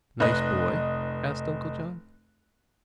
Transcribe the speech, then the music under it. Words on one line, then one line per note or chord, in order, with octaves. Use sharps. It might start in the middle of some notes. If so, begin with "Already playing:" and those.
"Nice boy?" asked Uncle John.
F1 B4 D#5 F#6